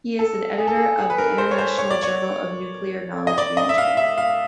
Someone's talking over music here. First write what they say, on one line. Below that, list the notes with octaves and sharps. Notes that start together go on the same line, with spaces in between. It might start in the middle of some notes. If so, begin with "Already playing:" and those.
He is an editor of the International Journal of Nuclear Knowledge Management.
A4
G#4
A4
G#4
G#4
B4
A#4
C5
C#5
C5
C#5
D5
C#5
D#5
D5
D#5
E5
F5
E5
F5